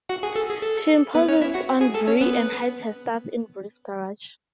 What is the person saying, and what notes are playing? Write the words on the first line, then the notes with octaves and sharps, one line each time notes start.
She imposes on Bree and hides her stuff in Bree's garage.
F#4 F#5
G#4 G#5
A4
G#4
A4
B3 B4
C#4 C#5
E4 E5
F#4 F#5
G#4 G#5
A4 A5
C#4 C#5
B3 B4